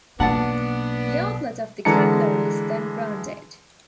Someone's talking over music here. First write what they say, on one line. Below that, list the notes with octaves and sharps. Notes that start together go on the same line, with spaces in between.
The outlet of the capillary is then grounded.
B1 A#3 B3 D4 F#5 A5
D3 E3 G#3 A5 A#5 C#7